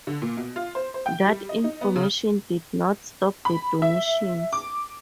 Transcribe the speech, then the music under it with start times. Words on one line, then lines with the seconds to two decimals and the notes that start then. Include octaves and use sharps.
That information did not stop the donations.
0.07 D3
0.22 A#2
0.37 B2
0.56 F4
0.75 C5
0.94 C5
1.06 G5
1.26 G3
1.49 D#5
1.64 D#4
1.81 B3
1.96 C#3
3.45 B5
3.82 E5
4.53 D6